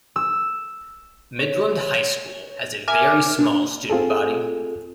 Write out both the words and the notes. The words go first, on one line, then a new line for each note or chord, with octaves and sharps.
Midland High School has a very small student body.
E6
C#5
A#4 E5 G#5 D6 F6
D4
C4 F4 G#4 A4